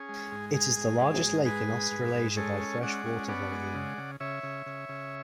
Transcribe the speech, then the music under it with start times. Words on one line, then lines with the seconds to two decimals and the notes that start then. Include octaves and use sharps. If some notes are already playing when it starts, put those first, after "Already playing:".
It is the largest lake in Australasia by fresh water volume.
Already playing: C#4 G#4
0.09 G#3
0.32 G#2
0.54 G#3 G#4
0.77 G#2
1.01 G#3
1.23 G#2
1.45 G#3 G#4 B4
1.69 G#2
1.92 G#2
2.14 G#2
2.37 G#3 A4 C#5
2.61 C#4
2.83 G#3 D5 F#5
3.06 C#4
3.29 B3 D5 F#5
3.52 G#3
3.75 C#3
3.98 C#3
4.20 C#3 C#5 E5
4.43 C#3
4.66 C#3
4.89 C#3